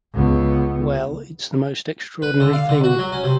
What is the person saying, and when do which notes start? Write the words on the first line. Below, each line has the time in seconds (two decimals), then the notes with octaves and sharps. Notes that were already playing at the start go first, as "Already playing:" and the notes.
Well, it's the most extraordinary thing.
0.14 C#2 B3
2.22 B4
2.40 D3
2.53 F5
2.69 D3
2.84 F#4
2.99 F#3
3.12 C#4
3.24 C3